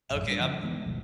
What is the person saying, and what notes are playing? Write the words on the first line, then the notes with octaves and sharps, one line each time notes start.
Okay. I'm I
A1 F#2
G3 D4
C#3 F3
D#3 E3 G#3 B3
G1 D2 B2 F3